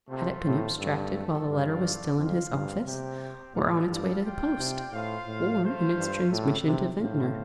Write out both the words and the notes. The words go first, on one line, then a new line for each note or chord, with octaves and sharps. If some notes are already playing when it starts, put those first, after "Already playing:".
Had it been abstracted while the letter was still in his office?--or on its way to the post?--or in its transmission to Ventnor?
C3 A3 F4 A4 C5
A2
G2 A3 C4 A4
G2 A3 C4 F4 D5 F5
F2 F4 C5 F5
G2
C3 C4 G4 C5
A2 G3 C4 A4 D5 F5
G2
F4 D5 G5
C3
A2 F4 C5 F5
A2
A3 F4 C5 F5
G2
A2 G3 D4 A4
C3
A2 F4 C5 F5